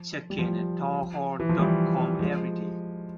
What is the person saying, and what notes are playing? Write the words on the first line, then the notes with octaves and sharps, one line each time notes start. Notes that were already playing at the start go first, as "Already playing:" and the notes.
Check in at Townhall dot com every day.
Already playing: F3
G3
F3
E3
F3
E3 G3
F3 G#3